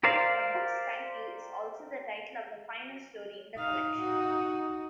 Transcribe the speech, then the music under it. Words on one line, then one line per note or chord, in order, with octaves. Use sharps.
The book's title is also the title of the final story in the collection.
G4 A#4 C5 D5 F5
D#4 F5
F#4